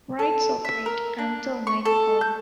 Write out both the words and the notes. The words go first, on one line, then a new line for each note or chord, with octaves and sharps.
Rides operate until nightfall.
A4
E5
A#4
D4
C#6
A4
G6